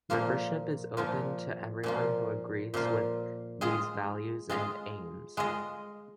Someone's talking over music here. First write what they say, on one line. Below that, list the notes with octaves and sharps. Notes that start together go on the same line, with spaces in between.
Membership is open to everyone who agrees with these values and aims.
A#2 F3 A#3 F4
A#2 F3 A#3 F4
A#2 F3 A#3 F4
A#2 F3 A#3 F4
G#3 F4 G#4 D#5
G#3 F4 G#4 D#5
G#3 F4 G#4 D#5